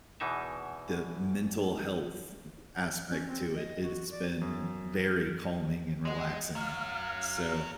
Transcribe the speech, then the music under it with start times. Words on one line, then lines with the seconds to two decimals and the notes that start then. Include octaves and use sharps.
the mental health aspect to it. It's been very calming and relaxing. So
0.20 E2 B2 E3 D#4 E5
3.10 C#4
3.28 C4
3.55 D#5
3.82 F#4
4.11 D5
4.41 F#2
6.05 G#3 D#5 F#5
6.55 F#2 F#3 F5 F6